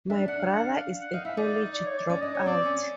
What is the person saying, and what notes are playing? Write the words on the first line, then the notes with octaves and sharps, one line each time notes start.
My brother is a college dropout.
D4 E5
D4 F#5
F5
F#5
F5
F#5
D#4 F5
E4 E5
D#4 D5
D5
C#5
D5
C#4 D5
D4 D#5
C#4 C#5
C4 D5
C#4